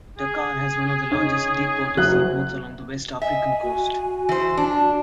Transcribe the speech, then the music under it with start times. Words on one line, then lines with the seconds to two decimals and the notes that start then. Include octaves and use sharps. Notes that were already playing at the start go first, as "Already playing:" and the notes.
Dakar has one of the largest deep-water seaports along the West African coast.
0.18 G#4
1.12 C#4 D#4
1.97 F#1 F#3 F#6
3.22 D#5 E5 G#5
3.63 F#4
4.29 E3 C5
4.57 D4 A5